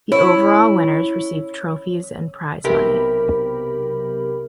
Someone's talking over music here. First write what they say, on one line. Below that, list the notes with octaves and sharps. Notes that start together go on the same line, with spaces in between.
The overall winners receive trophies and prize money.
E4 C#5
B1 C3 G4 A#4 B5